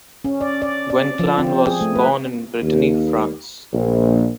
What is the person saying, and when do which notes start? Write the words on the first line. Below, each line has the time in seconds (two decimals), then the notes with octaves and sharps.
Gwenc’hlan was born in Brittany, France.
0.25 C#4
0.41 D5
0.62 D5
0.90 D5
1.19 F3
1.38 C4
1.67 G#4
1.81 A3
1.95 B4
2.62 D#2
3.73 A#1